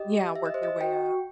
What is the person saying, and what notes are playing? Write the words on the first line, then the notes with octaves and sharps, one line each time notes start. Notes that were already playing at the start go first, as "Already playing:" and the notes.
Yeah, work your way up.
Already playing: G4 D#5
E5
D#5
C5
D#5
F#4 G5